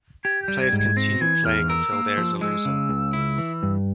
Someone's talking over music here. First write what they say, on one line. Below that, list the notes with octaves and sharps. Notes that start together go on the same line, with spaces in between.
The players continue playing until there is a loser.
G4 G#6
G6
G3
G#6
G#2
G#6
C4 A#6
E3 G#6
E2 F6
A#4 E6
A#3
F3
G#3 E6
C#3
C#2
E4
E3
G2